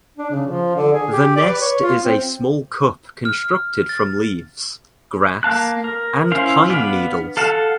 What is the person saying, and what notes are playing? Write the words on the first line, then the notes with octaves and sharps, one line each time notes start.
The nest is a small cup constructed from leaves, grass, and pine needles.
D4
C#3
F3
D3
G#4
G4
D5
B4
C#5
F4
C4
F6
A6
A#3 F5 A5 F#6
A#4
C#4 E4 C5 F5
B3 D4 F5
A4 F5 F#5 A5